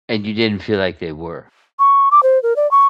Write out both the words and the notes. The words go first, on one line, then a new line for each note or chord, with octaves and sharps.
And you didn't feel like they were?
C#6
D6
C5
A#4
D5
C#6